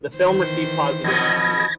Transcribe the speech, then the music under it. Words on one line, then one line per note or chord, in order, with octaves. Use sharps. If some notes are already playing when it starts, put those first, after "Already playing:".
The film received Positive Reviews.
D#3 E3 C5
F2 B2 B3 G#6 A#6